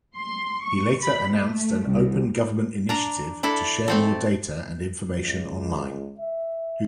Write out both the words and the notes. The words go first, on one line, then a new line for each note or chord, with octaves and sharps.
He later announced an "Open Government Initiative" to share more data and information online.
C6
C#6
B5
A3
C2
D4 A#5
D4 E4 A4
A3 C4 A4
C#2
E5